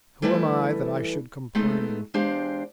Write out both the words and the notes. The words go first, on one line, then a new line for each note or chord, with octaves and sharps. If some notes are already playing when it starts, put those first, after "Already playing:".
Who am I that I should complain?
E3 G3 A3 E4 A4 B4
G#3 A3 B3 D#4 A4
E2 G#3 D4 G4 C5 F5